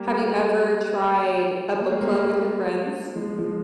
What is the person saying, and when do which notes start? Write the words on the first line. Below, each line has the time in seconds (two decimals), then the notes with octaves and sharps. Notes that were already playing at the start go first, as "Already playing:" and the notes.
Have you ever tried a book club with your friends?
Already playing: G3 A#3
1.80 A#3
1.90 G#3
2.01 G3 A#3
3.15 F3 G#3
3.38 F3 G#3